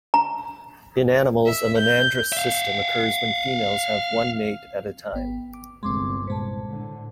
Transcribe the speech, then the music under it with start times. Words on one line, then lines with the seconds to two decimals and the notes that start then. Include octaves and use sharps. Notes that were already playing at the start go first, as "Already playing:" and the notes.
In animals, a monandrous system occurs when females have one mate at a time.
0.14 A#5
1.46 E5
1.78 G6
2.32 E5 F5
5.13 G#1 B3 G5
5.54 D6
5.83 G1 C2 G#3 C4 C6 D6
6.27 C2 A#2 G#3 C5 A5
6.66 A2 D3